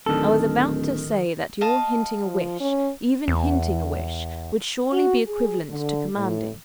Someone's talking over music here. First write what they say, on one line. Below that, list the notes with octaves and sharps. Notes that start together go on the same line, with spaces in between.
I was about to say that your hinting a wish, even hinting a wish, would surely be equivalent to commanding.'
D1 D#3 A4
D#5 F5 A5
F3
C#4
E2
F#4
G#4
D3
A2